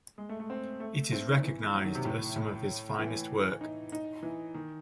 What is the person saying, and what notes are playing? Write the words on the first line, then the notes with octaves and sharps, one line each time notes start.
It is recognised as some of his finest work.
G#3
A3
A3
C4
A3
C4
D#3
E3
F#3
D#3
C3
A2
A2
E3
D#4
D#4
E3
D#3